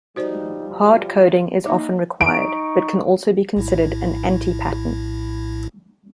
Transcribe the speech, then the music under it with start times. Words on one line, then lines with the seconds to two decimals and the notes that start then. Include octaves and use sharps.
Hard coding is often required, but can also be considered an anti-pattern.
0.16 B2 F3 G3 D#4 F#4 C5 D5
0.91 F4
1.65 A#3 D#4 D#5 E5 D6
2.21 D#4 C#6 D7
3.57 A#1 A2 E4